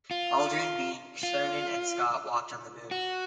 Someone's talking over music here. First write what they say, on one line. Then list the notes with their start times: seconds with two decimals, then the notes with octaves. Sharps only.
Aldrin, Bean, Cernan and Scott walked on the Moon.
0.11 F4
1.23 F4
2.91 F#4